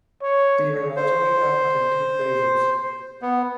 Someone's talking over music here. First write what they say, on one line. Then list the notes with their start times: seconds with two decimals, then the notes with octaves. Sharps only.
The orogeny happened in two phases.
0.22 C#5
0.96 C5
3.22 B3